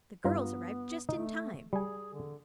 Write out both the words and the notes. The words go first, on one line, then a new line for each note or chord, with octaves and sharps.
The girls arrived just in time.
G2 B3 F4 A#5
A3 D#4
G3 G#4 G#5
D3